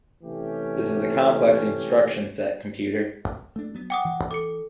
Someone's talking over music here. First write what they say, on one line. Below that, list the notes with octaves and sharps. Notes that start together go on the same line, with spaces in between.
This is a complex instruction set computer.
C3 E3 A3 C#4 G4
A3 D4
F#3 B3
F#5 G5 D6 D#6
E3
A4 D6 C#7